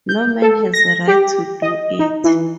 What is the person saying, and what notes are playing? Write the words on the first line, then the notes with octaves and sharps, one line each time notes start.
No man has a right to do it.
G6
A4
A#6
G4
D#5
D#4
E3